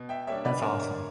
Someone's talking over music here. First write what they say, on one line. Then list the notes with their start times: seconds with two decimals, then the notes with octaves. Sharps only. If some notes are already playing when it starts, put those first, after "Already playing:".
That's awesome.
Already playing: B2
0.09 E5 G5
0.27 G3 A#3 D4 C#5 E5
0.45 B4 D5
0.62 D3 A#4 C#5